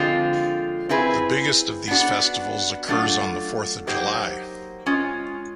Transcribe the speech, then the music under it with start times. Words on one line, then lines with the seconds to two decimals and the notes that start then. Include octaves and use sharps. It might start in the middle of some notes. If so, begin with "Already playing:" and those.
The biggest of these festivals occurs on the Fourth of July.
Already playing: D3 F3 G#3 C4 F4
0.89 C4 E4 G#4 B4
1.88 B3 D4 F#4
2.88 F#3 A3 D4 F4
3.87 F#3 A#3 D#4 G4 C5
4.86 G#3 C#4 F4